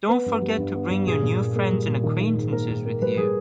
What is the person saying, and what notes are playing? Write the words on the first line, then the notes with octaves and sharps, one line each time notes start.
Don't forget to bring your new friends and acquaintances with you.
B3 B4
G2
G3
G2
B3
G2
A#2 G#4
A#2
A#3
A#3 G#4
G3
A#2
D#3
D#3
G#2
A#3 A#4
G#2
A#3
G3 B4
G3 G#4